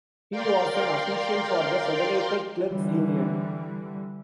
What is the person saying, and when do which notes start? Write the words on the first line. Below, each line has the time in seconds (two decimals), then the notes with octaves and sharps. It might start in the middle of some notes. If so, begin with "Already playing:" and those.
He was an official for the Federated Clerks' Union.
0.31 A#4 D5 F5 G5 C6
2.68 D3 E3 G3